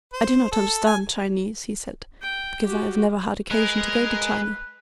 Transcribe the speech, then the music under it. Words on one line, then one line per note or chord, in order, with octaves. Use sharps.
I do not understand Chinese," he said, "because I have never had occasion to go to China.
C5
A4
G#5
G5
F#4 G4
G#3 A#4 B4